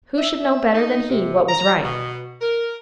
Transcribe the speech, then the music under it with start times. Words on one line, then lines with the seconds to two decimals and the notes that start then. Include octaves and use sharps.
Who should know better than he what was right?
0.18 E5
0.74 D#4
1.09 C3
1.49 A#5
1.83 B2
2.41 A#4